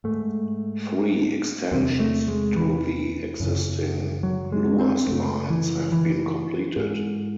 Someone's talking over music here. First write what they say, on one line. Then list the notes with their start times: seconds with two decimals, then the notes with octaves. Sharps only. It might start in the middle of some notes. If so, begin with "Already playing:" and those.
Three extensions to the existing Luas lines have been completed.
0.04 G#2 A3
1.72 E2 C3 C4
2.00 A3
2.28 G#3
2.56 E3
3.40 F#2 C#3
4.23 F#3
4.52 G#3
4.79 C4
5.07 F#2 C#3 A3
5.50 E3
5.92 E3
6.76 G#2